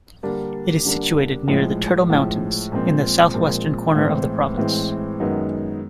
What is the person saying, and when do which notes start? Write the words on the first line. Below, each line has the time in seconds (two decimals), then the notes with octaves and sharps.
It is situated near the Turtle Mountains in the southwestern corner of the province.
0.23 D3 G3 A#3 D4
0.85 D3 G3 A#3 D4
1.48 A2 F3 G#3
2.10 A2 F3 G#3
2.72 A#2 F3 G#3 C4
3.34 A#2 F3 G#3 C4
3.95 A2 E3 G#3 C4
4.57 A2 E3 G#3 C4
5.20 F#2 D#3 G#3 B3 D#4